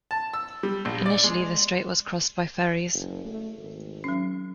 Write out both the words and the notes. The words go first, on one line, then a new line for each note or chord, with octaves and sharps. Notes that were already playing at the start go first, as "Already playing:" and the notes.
Initially, the strait was crossed by ferries.
A5
E6
G3
A#1
D5
G#3
F#1
A3
G#1
F#3 C#4